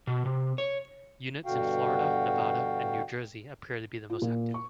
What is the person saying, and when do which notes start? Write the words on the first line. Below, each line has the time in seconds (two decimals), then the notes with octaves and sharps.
Units in Florida, Nevada, and New Jersey appear to be the most active.
0.07 B2
0.26 C3
0.58 C#5
1.45 G2 B2 D3 F#4 F5 G5
4.10 F4
4.22 A#2
4.54 C#6